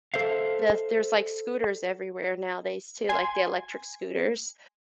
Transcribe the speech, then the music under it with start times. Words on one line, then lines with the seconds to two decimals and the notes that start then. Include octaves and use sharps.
The there's, like, scooters everywhere nowadays too, like, the electric scooters.
0.14 A4 C5 E5 F5
3.09 G#5 C6 G#6